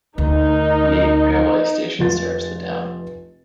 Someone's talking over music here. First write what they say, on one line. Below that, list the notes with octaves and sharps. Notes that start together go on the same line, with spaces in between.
Yate railway station serves the town.
D2 D#4 A#4
F1 F4 A6